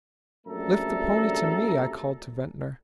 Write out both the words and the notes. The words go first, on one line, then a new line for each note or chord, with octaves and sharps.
"Lift the pony to me," I called to Ventnor.
A#1 F#2 G3 A3 A4 A#5